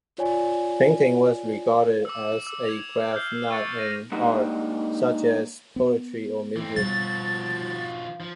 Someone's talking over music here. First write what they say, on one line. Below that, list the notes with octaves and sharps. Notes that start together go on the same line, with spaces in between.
Painting was regarded as a craft, not an art such as poetry or music.
F4 C#5 D5 G#5
D6 E6
E6
G#6 F7
F6 G6 C7
C#6 D6 E6 A6 C#7
A#6 D#7
G#3 A#3 D4 D#4 G4 F#5
B3
E3 C4
B2 F3 G3 F#4 A6
F3